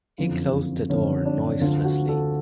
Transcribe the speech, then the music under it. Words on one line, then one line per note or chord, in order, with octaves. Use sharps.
He closed the door noiselessly.
F#1 F2 D3 F4
F#1 F2 D3 C#4
D4
D2 D3 F3 F4
F#4
A4